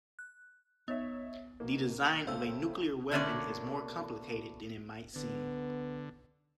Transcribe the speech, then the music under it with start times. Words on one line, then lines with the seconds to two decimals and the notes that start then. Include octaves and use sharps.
The design of a nuclear weapon is more complicated than it might seem.
0.19 F#6
0.88 B3 D#4 C#5 E5
1.60 B2 A#3
2.27 C#3 A3 C4 F5 E6
3.11 B2 D3 A3 A#3 C#4 D5
5.16 D3 B3